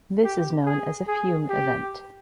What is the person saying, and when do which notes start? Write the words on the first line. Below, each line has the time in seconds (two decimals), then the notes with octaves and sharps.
This is known as a fume event.
0.24 G4
0.66 G#4
1.08 G#4
1.49 G4